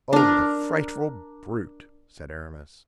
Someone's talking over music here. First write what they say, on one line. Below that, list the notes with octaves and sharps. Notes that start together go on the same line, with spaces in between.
"Oh, the frightful brute!" said Aramis.
D4 A#4